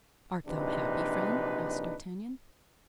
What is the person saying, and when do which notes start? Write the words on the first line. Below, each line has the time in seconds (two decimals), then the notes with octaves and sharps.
"Art thou happy, friend?" asked D'Artagnan.
0.47 A#1 C3 E3 D4 D#4 B4